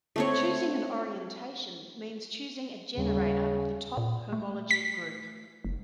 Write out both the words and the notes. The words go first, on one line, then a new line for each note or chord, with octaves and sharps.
Choosing an orientation means choosing a generator of the top homology group.
A3 C4 C#5
D#2 C#3 G3
A#2
A3
B6
F#1